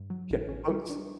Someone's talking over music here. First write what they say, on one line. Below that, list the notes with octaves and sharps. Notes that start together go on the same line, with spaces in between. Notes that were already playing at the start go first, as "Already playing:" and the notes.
Yeah, boats
Already playing: G2
F#3
A1
C#4
G3
D4